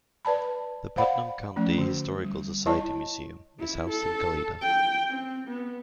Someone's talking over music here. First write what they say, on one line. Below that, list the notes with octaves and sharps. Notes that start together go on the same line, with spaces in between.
The Putnam County Historical Society Museum is housed in Kalida.
B4 D5 A5 B5
C5 D5 F5 F#5 B5
F3 A3 C#4
D3 F#4
G3
E4 C#5 D#5 A5
E4
A4
G5
C4
B3